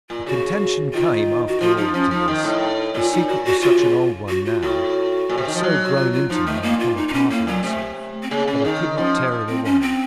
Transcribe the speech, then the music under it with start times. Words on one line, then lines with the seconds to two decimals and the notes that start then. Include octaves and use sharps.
The contention came, after all, to this;--the secret was such an old one now, had so grown into me and become a part of myself, that I could not tear it away.
0.10 A#2 F4
0.26 C#3 F#4
0.94 D#3 F4
1.48 F#4
1.61 F3 F4
1.77 F3 D#4
1.94 F3 C#4
2.11 F3 D#4
2.28 D#3
2.44 A2
2.95 A#2 F4
3.12 D#4
3.28 F#4
3.45 F#4
3.62 C3 F4
3.78 C#3
4.29 F#4
4.46 F4
4.62 A2 F#4
5.29 A#2
5.38 C3
5.47 D#3
5.55 F3
5.63 F#3
5.85 F#4
5.96 F4
6.13 F4
6.30 F3 D#4
6.46 D#3 A3
6.63 A#2 A#3
6.80 F4
6.97 D#4
7.08 D#4
7.13 C#4
7.30 A2 A#3
7.47 A#2 F#3
7.64 C3 A3
8.23 C4
8.31 C#3 A#3
8.47 C#3 C#4
8.65 D#3 D#4
8.98 F3 C#4
9.31 F3
9.49 C4
9.65 C#4
9.82 C4